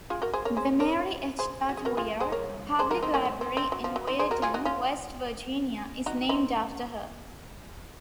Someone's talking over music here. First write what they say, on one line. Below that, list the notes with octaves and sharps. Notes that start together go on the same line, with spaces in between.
The Mary H. Weir Public Library in Weirton, West Virginia, is named after her.
F4 G#4
F#4 A#4
G#4 C5
A#4 C#5
G#4 C5
A#4 C#5
G#4 C5
F#4
G#4
F#4 A#4
F4 G#4
G#4 C5
A#4 C#5
G#4 C5
F#4 A#4
C4 D#4
A#3 C#4
C4
C4
C4
F#3
F3
F#3
C4 D#4
G#4 C5
F#4 A#4
F4 G#4
D#4 F#4
C#4 F4
D#4 F#4
C4 D#4